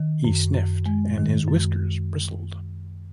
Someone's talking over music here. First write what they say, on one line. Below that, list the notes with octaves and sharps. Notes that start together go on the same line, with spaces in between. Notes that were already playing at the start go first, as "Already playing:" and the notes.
He sniffed, and his whiskers bristled.
Already playing: D#3
F#2
F#2
G#3
D#3
F#2